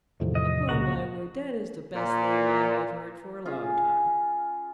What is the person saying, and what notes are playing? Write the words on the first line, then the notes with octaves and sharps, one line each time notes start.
Upon my word that is the best thing I have heard for a long time.
E2 A2 C3 D#3 F3
D#5
C#2 A#2 C#3 A#3 F#4 A#5
A#2
C#4 F4 G#4